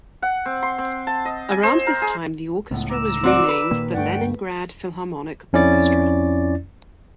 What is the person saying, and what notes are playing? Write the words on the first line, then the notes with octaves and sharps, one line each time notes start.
Around this time, the Orchestra was renamed the "Leningrad Philharmonic Orchestra".
F#5
C4
C6
C4
A5
D#5
G#5
C5
A#4
G#4
C#2 A2 B3
A#5 D6 E6
C4 F#4 D5
B4
A#2 D#3 A#3
D2 G2 A3 D5 F#5 G5
F2 C#4 E4 D5 A6